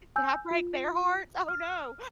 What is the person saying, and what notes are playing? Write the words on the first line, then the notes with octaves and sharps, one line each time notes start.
"Did I break their hearts? Oh, no."
G#5 E6 G6
F4
F6